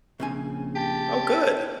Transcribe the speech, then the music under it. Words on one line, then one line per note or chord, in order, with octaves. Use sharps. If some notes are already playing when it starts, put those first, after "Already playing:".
Oh, good.
A#1 C#3 C4 G#5
G4 A5